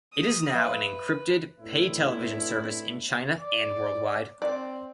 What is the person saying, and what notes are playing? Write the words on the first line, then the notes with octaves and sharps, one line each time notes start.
It is now an encrypted pay-television service in China and worldwide.
D#6
F3 B4 F5
A2 B3 C4 D4 E4
D5
C4 D5